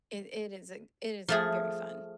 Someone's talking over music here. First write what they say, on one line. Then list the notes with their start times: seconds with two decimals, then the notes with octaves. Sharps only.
i it it is it is very fun.
1.28 F3 A3 G#4